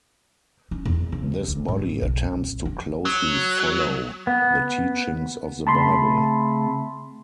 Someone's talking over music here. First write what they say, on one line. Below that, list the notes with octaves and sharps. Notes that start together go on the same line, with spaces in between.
This body attempts to closely follow the teachings of The Bible.
C#4
E2
C#3
D2
G#2
A2
B1
D#1
D4
F#3
B3
C#3 A3 C4 A5 B5 C6